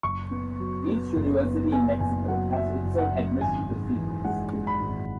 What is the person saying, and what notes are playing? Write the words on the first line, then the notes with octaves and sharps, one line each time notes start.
Each University in Mexico has its own admission procedures.
F#1 C#6
B3
F#3
B3
F#1
B3
B3 G#5
F#1 G#5
F#3 F#5
F#3 E5
F#1
F#5
F#2
G#1 G#5
G#2
E3
G#3 F#5
G#3
B5
G#1